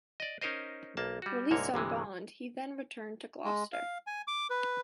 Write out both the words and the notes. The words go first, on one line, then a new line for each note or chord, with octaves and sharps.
Released on bond, he then returned to Gloucester.
D5 D#5
C#4 D#4 A#4 C5 D#5
B1 A#3 A5
G3 F#4
C2 G#2 D3 A#3 C#5
G1 C3 E3 G#3
G#3
F5
G#5
D6
B4